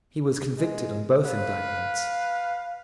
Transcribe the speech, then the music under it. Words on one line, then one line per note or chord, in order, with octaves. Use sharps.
He was convicted on both indictments.
G#3
B4 F5